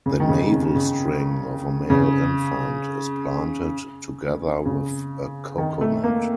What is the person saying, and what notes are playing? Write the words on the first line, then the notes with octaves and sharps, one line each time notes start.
The navel-string of a male infant is planted together with a coconut.
C#3
D#3
C#3
C#3
C#3
C#3
C#3
D#3
A3
A#3